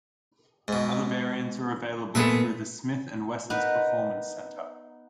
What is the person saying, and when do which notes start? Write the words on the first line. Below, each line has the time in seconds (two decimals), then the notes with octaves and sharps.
Other variants are available through the Smith and Wesson's Performance Center.
0.68 G#2 B2
2.15 A#2 A3 B3 G#4 B4 E5
3.50 B3 D#4 A#4 B4